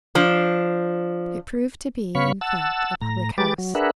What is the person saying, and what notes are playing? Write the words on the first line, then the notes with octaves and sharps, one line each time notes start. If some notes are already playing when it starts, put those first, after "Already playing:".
It proved to be, in fact, a public house.
F3 D4
C#3 B3 C#5 F5 B5 C#6
F#5 A5 E6
A2 A#5
G#3 G4 B4 D6 A6
F#3
D4 G#4 A#4 B4 E5 F#5